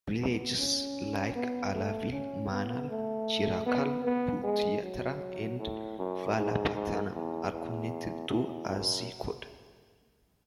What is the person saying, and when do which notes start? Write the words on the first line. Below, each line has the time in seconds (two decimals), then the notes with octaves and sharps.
Villages like Alavil, Manal, Chirakkal, Puthiyatheru and Valapattanam are connected to Azhikode.
0.19 B3
0.58 C#4
1.35 B3
1.74 A3
2.12 C#4
2.51 B3
2.90 A3
3.66 B3
4.05 B3
4.43 G#3
4.82 F#3
5.59 A2
5.99 F#2
6.37 G#2
6.75 G#2
7.14 E2
7.52 E2
8.29 E2
8.68 F#2